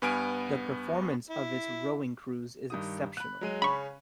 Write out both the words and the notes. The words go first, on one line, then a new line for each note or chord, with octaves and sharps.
The performance of its rowing crews is exceptional.
G2 B3 G#5 F6 D7
E4
G2 D#3 D#6
B5 F#6
F#3 G#3 D#7
C#3 C#4 B5 C#6